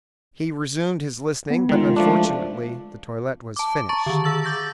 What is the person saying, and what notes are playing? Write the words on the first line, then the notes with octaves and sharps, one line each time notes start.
He resumed his listening, but unfortunately the toilet was finished.
B3
D#3 G#3 F4
F3 A3 D4
A5 D6
A5 A#5 C#6 A6
D3 D#3
G#4 E6 A6 F#7
D6 G6 A6 A#6